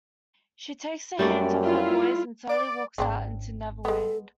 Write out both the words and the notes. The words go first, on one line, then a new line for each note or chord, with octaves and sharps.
She takes the hands of her boys and slowly walks out into Neverland.
F#2 G3 A3 A#3 D5
E4 F4
D5
G#1 C#3 C4 D4
G#3 B3 A4